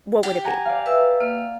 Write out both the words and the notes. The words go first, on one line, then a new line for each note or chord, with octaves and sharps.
what would it be?
G4
F#5 G#5 A#5
D5 F5
B4 E5 E6
A#3 F6